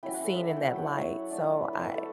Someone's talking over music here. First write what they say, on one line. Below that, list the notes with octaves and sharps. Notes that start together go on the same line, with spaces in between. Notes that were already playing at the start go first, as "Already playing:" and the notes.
seen in that light, so I
F#3 C#4 E4 G5
F#5
A4
E5
F#5
G5
F#3 C#4 E4 F#5
F#5
C#5
A3 D4
B4
B4
A4
A3 A4